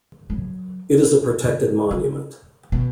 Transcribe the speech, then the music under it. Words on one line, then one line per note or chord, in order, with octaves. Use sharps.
It is a protected monument.
F#3
C#3
B2